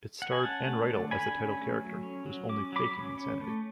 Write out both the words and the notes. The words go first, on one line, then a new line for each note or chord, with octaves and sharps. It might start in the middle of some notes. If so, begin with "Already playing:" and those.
It starred Enn Reitel as the title character, who is only faking insanity.
F#5
G#5
C#4 F#5 A5
A3
D3
D3 G#5 B5
C#4
A3
F#3
C#4
F#3
C#4 D6
F#3 B5 D6
C#4
C#4
A3